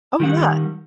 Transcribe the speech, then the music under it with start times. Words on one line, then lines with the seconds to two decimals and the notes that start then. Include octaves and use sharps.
Oh, yeah.
0.20 D#3 G3 F#5